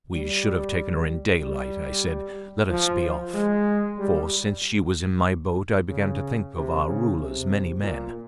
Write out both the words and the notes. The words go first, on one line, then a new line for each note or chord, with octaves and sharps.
We should have taken her in daylight.' I said, 'Let us be off'; for since she was in my boat I began to think of our Ruler's many men.
G3
G3
F3
F3
G#3
G3
C#3
C3
C#3
C3
A#2